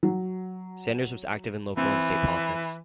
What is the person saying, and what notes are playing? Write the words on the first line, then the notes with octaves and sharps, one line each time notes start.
Sanders was active in local and state politics.
F#3
E3 C4